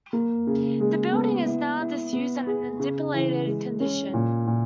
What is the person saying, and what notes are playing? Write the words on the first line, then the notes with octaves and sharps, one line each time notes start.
The building is now disused and in a dilapidated condition.
A#3
C#3
G#3
B3
E4
E4
B3
G#4
C#3
E3
G#3
C#4
A#2
A#2